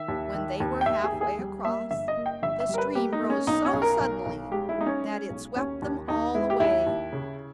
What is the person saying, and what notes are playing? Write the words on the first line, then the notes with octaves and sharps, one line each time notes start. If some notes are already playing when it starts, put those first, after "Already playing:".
When they were half-way across, the stream rose so suddenly that it swept them all away.
Already playing: D#3 E5
D#2
D#3
D#2
G5
D#2 E5
G#4
D#2
G#4
G3
A#3 E5
G1 E5
D#5
A#3
G5
G1 E5
E5
G3 A#4
B4
A#3 G4
D#4
A#3
C#4
B1 D#4
C#4
B1
A#4
B1
B1
G#3 G4
E4
G#3 D#4
C#4
G#3
B1
D#2 C#4
D#2
D#2 D#4
G#3 E4
G4
D#2 E4
D#2
C#3